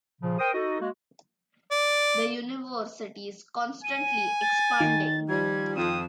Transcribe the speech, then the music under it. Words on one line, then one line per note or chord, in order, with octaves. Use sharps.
The university is constantly expanding.
A#2 C#3 F3
A#4 C5 G5 D#6
D#4 F#4 A4 D#5
G#3 A#3 F#4
D5
G#5 D#7
A6
D#3
F3 G3 G#6
F2 D#6 E7